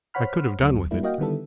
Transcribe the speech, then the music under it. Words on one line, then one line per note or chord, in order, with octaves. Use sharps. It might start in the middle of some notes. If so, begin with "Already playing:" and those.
I could have done with it.
C5 C#5 F#5 B5 F6
D2 F#3
G3 A#3 D4 E4
A#3 F#4 D#5 F5 G5
D3 D#3 G3 B3 E4 A4